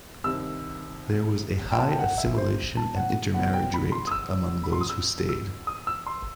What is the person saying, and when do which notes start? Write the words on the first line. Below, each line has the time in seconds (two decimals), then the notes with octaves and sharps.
There was a high assimilation and intermarriage rate among those who stayed.
0.24 C2 C3 D#3 E6
1.72 G5
1.79 A5
1.91 G5
1.99 F#5
2.18 E5
2.38 C5
2.77 A5
2.96 F#5
3.34 E2 B2 F#5
3.54 G5
3.74 B5
3.92 C6
4.07 D#6
4.11 E6
4.64 B5
4.72 C6
4.81 D#6
4.90 E6
5.29 E6
5.67 D#6
5.87 E6
6.07 C6